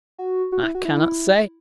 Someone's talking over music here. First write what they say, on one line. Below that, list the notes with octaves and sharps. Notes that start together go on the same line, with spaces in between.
'I cannot say.
F#4
F#4
E4
F#4
E4